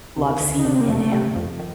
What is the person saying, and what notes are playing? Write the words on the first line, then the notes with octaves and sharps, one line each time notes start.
love seeing in him.
C2 C3
D#2 D#3
D2 D3
D#4
D#2 D#3 D4
C4
A#3
F2 F3 A3
G2 G3
F2 F3
D#3